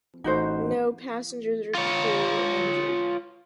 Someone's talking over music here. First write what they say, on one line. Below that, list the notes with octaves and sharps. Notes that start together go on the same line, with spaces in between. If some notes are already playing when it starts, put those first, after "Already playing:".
No passengers or crew were injured.
A1 D#4 F#4 C5
F4 C#5